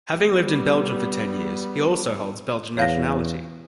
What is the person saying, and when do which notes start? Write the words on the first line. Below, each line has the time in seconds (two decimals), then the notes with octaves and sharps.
Having lived in Belgium for ten years, he also holds Belgian nationality.
0.18 G3 B3
2.77 E2 C#5 F5 A#6